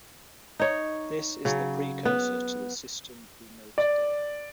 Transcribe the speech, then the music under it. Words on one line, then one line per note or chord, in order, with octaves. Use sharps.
This is the precursor to the system we know today.
D#4 C#5
C#3 F#3
B3
D5